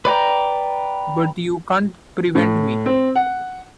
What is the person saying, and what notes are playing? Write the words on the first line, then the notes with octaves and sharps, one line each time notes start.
But you can’t prevent me.
B4 D5 G5 A#5
A2
C4
F#5